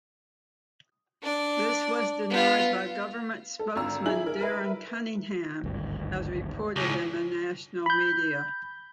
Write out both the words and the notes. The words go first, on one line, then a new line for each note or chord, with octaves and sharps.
This was denied by government spokesman Darren Cunningham, as reported in the national media.
D4 D5
B3 F4
A4
G#1 D3 F4 A#5 E6
E4 G#4 F#7
A#4
A#4 B4 E5
G#1 D2 G2
C#2 A2
B5 G6